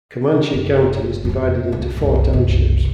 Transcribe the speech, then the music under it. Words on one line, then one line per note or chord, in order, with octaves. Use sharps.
Comanche County is divided into four townships.
F#1
F2 C4
C#2 C#3
F#1 C2
F#1 C2